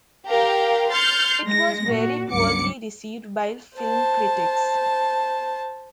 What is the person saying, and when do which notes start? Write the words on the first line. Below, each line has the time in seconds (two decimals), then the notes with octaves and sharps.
It was very poorly received by film critics.
0.28 G4 A#4 F5 G5
0.91 C6 F6 G6 A6 C7 C#7
1.46 G#3 A#6
1.89 A#2 F#4
2.32 C#2 G2 F#3 D6 C#7
3.77 C5 A5